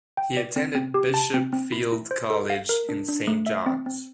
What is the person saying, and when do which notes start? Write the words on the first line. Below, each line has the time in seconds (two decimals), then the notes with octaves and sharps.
He attended Bishop Feild College in Saint John's.
0.17 G5
0.37 D5
0.56 C4
0.75 C4
0.94 G4
1.14 A5
1.34 C4
1.53 C4
1.72 E4
1.92 E4
2.11 C5
2.30 A4
2.50 F5
2.69 A#4
2.89 D4
3.09 D4
3.27 A3
3.46 E5
3.66 C4
3.86 C4